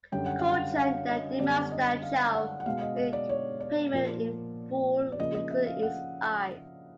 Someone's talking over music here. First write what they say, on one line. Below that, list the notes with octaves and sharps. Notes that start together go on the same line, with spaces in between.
Ko Chun then demands that Chau make payment in full, including his eyes.
F#2 D3 G3 G5
F#5
F5
F#5
F5
D#5
F#2 D3 G3 B3 D5
D#5
F5
F#5
F#5
B2 G#3 B3 F5
D#5
D#5
D5
C#5
D5
A#2 F3 A#3
D5
C#3 F3 A#3 D#5
D#5
E5
F5
F#5